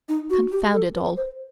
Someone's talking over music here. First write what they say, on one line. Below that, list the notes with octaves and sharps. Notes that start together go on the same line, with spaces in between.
Confound it all!
D#4
F#4
G4
A4
B4
C5